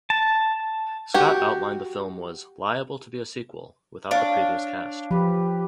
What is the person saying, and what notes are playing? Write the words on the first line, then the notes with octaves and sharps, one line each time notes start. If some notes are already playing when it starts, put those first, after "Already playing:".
Scott outlined the film was "liable to be a sequel" without the previous cast.
A5
F#4 G4
D4 C#5 F5
F3 G4 B4